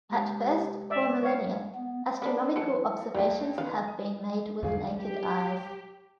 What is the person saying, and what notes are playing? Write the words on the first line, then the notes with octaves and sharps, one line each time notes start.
At first, for millennia, astronomical observations have been made with naked eyes.
G#3 G4 F5
C3
D5 E5 G5
C#5 F5
B3
A#3 B3 D4
E3 F#3 A4 C#7
D#2 G3 A3 G5
D#3 B3 F5
D#6
G#1 E2 D3 F3 G#4 F5
G4